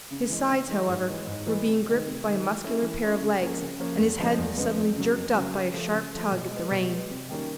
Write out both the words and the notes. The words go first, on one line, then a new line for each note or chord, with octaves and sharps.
His sides, however, were being gripped by a muscular pair of legs, and his head was suddenly jerked up by a sharp tug at the rein.
C#3
E3 G#3
C#3
E3 G#3
G#2
E3 G#3 B3
G#2
E3 G#3 B3
C3
D#3 G#3
C3
D#3 G#3
E3
A3 C#4 E4
E3
A3 C#4 E4
C#3
F3 A#3 C#4
C#3
F3 A#3 C#4
E2
C#3 F3 G#3 B3
E2
C#3 F3 G#3 B3
F2
C#3 F#3
F2
C#3 F#3
C#3
F3 A3
C#3
F3 A3
B2
G#3 B3
B2
G#3 B3
C3
D#3 G3 A#3 C#4